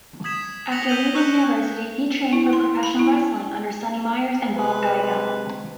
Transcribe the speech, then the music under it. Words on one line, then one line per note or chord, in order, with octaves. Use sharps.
After leaving university, he trained for professional wrestling under Sonny Myers and Bob Geigel.
D#6 G#6 B6 E7
A#6 B6 C#7 F7 F#7
E6 G6 B6 D#7 F#7 G7
C#6 E6 F#6 G6 C#7 F#7
E4
C6
B5
E4
C3 G#3 B4